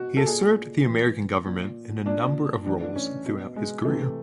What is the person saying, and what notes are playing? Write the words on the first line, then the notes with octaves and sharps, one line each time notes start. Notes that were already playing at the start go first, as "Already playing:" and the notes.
He has served the American government in a number of roles throughout his career.
Already playing: B2 F#4
A4
A#2 G#4
A2 E3
A#2
A#2 D4
A2 E3 D4
D4
C#4
B2
G#3
C3 E3 A3